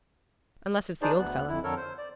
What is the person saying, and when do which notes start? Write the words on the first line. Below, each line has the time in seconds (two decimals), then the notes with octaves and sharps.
"Unless it's the old fellow."
1.02 D4 D#4 G#4 C5 D5
1.19 D2 B3 F#6
1.48 F2 E4
1.64 F2 D3 A4 A#4 C#5
1.77 C5
1.98 D5